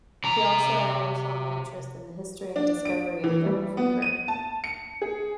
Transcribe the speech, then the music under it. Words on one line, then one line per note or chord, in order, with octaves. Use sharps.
He also had a lifelong interest in the history and discovery of yellow fever.
C3 A#5
D4
D7
E3
G3
B3
D#7
A5
C#7
G#4